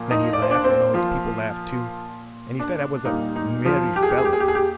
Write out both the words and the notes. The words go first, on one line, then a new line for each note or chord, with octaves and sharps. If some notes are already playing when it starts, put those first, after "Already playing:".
Then he laughed, and all his people laughed too, and he said I was a merry fellow.
Already playing: A#2 F3 A#3
D#4 D#5
D5
C5
D4 D5
C4 C5
F3 F4
D4
A#2 G3 A#3 D#4
D#4
F3 F4
G4
G#4
G4
G#4
G4
G#4
G4
G#4
G4